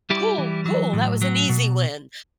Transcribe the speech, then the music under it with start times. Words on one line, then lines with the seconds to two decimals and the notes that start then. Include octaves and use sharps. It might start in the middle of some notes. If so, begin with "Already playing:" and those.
Cool, cool. That was an easy win."
0.10 G3 E4 G4
0.38 E3
0.66 F#3
0.93 A2
1.22 F#3
1.49 B2